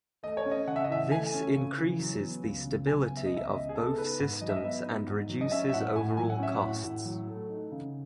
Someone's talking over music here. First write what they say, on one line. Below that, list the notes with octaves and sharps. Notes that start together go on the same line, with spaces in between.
This increases the stability of both systems and reduces overall costs.
A3 D#5
C#5
C#4
D#5
C#3 F#5
E5
D#5
E3 E5
A3 G#5
C#4
C#3
E3
F#3
B3
C#2
C#3
F#3 G#5
B3
E5
D#5
C#2
E5
D#5
C#3
G#4
B3 A4
D#4 B4
G#2
F#3 D#5
E5
D#5
B3
D#4
G#2
F#3
D#5
C#4 E5
E5
A2 F#5
A2 G#5
F#3 G#5
F#5
C#4 E5
F#5
A2
A2
F#3
A3
D#4
C#3